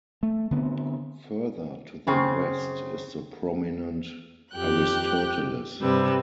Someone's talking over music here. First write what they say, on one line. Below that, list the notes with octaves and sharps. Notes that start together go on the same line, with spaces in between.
Further to the west is the prominent Aristoteles.
A3
D3 B3 C4
F#2 C#3 C4
F2 G4 G5 F#6
G2 C3 G3 B4 E6